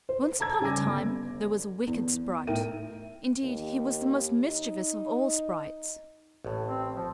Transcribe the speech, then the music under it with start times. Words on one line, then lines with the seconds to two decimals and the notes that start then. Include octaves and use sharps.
Once upon a time there was a wicked sprite, indeed he was the most mischievous of all sprites.
0.09 C5
0.40 A5 A#5 E6 G#6
0.61 C#3 G3 G#5 D6 A#6
0.86 G1
1.87 E2
2.47 A2 D#4 A#4 E5 G5 D#7
3.44 D#2
4.46 D#4
6.45 A1 A2
6.66 C4
6.96 F3